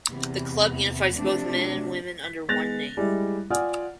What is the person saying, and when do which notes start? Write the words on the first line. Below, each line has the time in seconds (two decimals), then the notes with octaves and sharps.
The club unifies both men and women under one name.
0.11 E2 C3
1.15 C3 F3 A3 C4 D4
2.24 B6
2.48 G#3 B3 F#6 A6 A#6 F7
2.97 G3 G#3 E4
3.50 F4 D5 F#5 G#5 D#6 F6